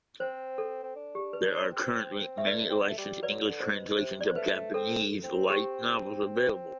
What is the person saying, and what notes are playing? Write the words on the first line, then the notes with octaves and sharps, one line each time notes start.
There are currently many licensed English translations of Japanese light novels available.
C4 C5
A4
C4
D4
G4
B4
C5
C4
E5
A3 B4 D5
C4
B3
A3
G3
F#3 B4 D5
D3
C5
B2
C3 C5
D5
C5
B3
A3 B4
C4 A4
C4
G4
C4